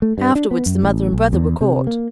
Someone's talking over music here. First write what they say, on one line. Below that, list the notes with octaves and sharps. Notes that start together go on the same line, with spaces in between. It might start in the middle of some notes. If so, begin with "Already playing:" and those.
Afterwards the mother and brother were caught.
A3
G2
D4
B3
F#2
A1
B1
E2
C3
A#3